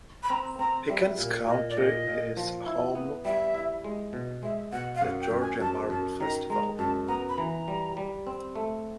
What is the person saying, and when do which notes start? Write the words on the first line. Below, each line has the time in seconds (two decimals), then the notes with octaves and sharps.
Pickens County is home the Georgia Marble Festival.
0.23 B5
0.30 C4 A#5
0.59 C4 A#5
0.89 G3 E5
1.18 A#2
1.47 A#2 D#5
1.69 D5
1.77 A#2 D#5
2.07 A#2
2.37 F3
2.66 E4
2.95 B3
3.25 G3 E5
3.54 E4
3.84 G#3
4.13 B2
4.43 G#3 E5
4.72 B2 F#5
4.95 F5
5.01 F#2 F#5
5.21 G5
5.31 F#2
5.41 G#5
5.60 F#2 A5
5.90 F#2 A5
6.20 D#3 A#5
6.50 G#3 A#5
6.78 F#2 A5
7.08 B3 A#5
7.29 B5
7.38 E3 A#5
7.68 G3
7.97 G3
8.27 C4
8.55 A3